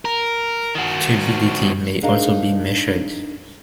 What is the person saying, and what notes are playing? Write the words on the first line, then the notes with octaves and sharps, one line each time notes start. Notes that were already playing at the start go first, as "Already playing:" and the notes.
Turbidity may also be measured.
A#4
D#3 F#4
D4 D#4 G#4 A#4 D#5 F5